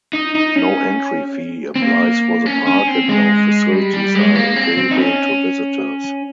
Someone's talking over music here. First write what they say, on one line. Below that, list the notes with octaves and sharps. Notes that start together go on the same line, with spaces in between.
No entry fee applies for the park and no facilities are available to visitors.
D#4
D#4
C#4
C4
A#3
C#4
C#4
C4
G#3
G3
G3
G#3
A#3
C4
C4
D#4
C#4